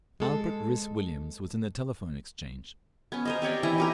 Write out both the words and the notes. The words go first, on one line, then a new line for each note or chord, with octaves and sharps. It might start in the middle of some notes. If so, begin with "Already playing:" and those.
Albert Rhys Williams was in the Telephone Exchange.
G#3 A4
B3 C#4
A#4 C5 D#5
C4 G4 C#5 D5
E3 E4 D#5
D#4 G4 A#4